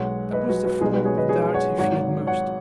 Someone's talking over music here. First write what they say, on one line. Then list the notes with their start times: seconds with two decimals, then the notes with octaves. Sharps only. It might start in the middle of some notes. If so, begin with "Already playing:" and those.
That was the form of doubt he feared most.
Already playing: B1 B2 G#3 B3 C#5 F#5
0.32 B4 D#5
0.49 F#4 B4
0.65 F#4 B4
0.81 B1 B2 G#3 D#4 G#4
0.93 F#4 B4
1.05 G#4 C#5
1.17 B4 D#5
1.29 G#4 C#5
1.54 C#5 F#5
1.78 G#1 G#2 F#3 C#5 F#5
2.27 C#5 F#5